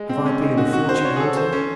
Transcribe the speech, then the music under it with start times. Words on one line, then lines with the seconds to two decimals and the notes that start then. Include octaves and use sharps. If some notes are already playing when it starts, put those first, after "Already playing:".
Have I been a fortune hunter?
Already playing: G#3
0.09 C4
0.26 C#4
0.42 D#4
0.57 F#4
0.73 F#4
0.89 C5
1.05 C#5
1.16 G#4
1.20 A4
1.37 C5
1.53 C#4